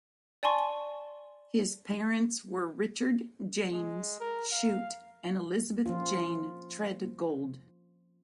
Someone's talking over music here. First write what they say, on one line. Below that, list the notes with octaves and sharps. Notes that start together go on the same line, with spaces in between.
His parents were Richard James Shute and Elizabeth Jane Treadgold.
D5 G#5 A5 C6 C#6
G#3
A#4
F5
F3 A#3 C#4 F4